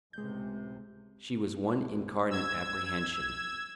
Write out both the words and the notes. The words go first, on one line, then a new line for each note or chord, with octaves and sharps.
She was one incarnate apprehension.
C#2 A2 C3 G#3 G6
E6 G#6